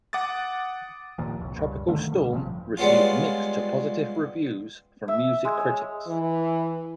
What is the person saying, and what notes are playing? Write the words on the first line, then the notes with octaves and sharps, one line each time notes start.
"Tropical Storm" received mixed to positive reviews from music critics.
F#5 D6 D#6 A6
G1 D#2 A#2 F3
E1 C2
C#2 G2
D3 D#3 F3 A3
D2 B2 G3
A1 G2 F3
G3 G#3 B3 C#4 F4
E5
G#3
C#5
E3